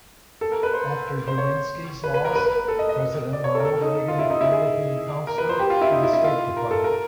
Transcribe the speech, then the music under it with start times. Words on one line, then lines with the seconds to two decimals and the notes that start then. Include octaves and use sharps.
After Derwinski's loss, President Ronald Reagan appointed him Counselor to the State Department.
0.41 A4
0.52 A#4
0.63 B4
0.74 C5
1.28 C5
1.38 C#5
2.04 B4
2.14 B4
2.25 A#4
2.36 B4
2.46 B4
2.57 A#4
2.68 A4
2.79 D#5
2.89 D#5
3.33 D5
3.44 C#5
3.55 A4
3.60 A#4
3.65 A4
3.81 D#4
4.08 F4
4.19 E4
4.30 D#4
4.41 E4
4.52 G#4
5.27 A#4
5.38 B4
5.49 C5
5.60 G4
5.70 F4
5.81 E4
5.92 D#4
6.03 E4
6.13 E4
6.24 F4
6.57 A#4
6.71 A4
6.84 A#4